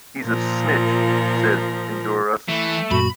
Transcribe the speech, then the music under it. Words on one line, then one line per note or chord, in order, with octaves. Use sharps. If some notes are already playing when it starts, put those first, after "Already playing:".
He’s a snitch”, said Enjolras.
A#2 F3 A#4
E3 A3
F#2 A#2 F#4 B5